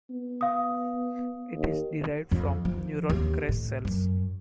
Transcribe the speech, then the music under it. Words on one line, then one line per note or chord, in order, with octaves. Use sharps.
It is derived from neural crest cells.
B3
F5 D#6
D#2
F2
F3
D#2
A2
F#2